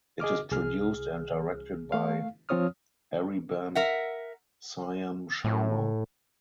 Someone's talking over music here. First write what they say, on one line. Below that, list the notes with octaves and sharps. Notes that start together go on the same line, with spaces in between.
It is produced and directed by Aribam Syam Sharma.
G#4 D#5 D6 F6
C2 G#4 F6
A3 F5
F3 C4 F4 C#5 D#6 F6
A#4 E5 F#5
A2